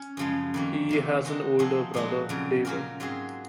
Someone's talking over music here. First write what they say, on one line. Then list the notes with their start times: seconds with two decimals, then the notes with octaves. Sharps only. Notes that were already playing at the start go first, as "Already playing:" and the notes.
He has an older brother, David.
Already playing: C#4
0.17 F#2 C#3 F3 G#3
0.54 F2 D#3 A#3
0.89 C3 D#3 A#3
1.25 G#3 D#4 F#4
1.59 F3 C4 D#4 G#4
1.94 A#2 F3 G#3 D#4 F#4
2.29 F2 C#3 F#3
2.65 F#3 A#3 C#4 F4 A#4
3.00 G#2 F#3 C4 F4 G#4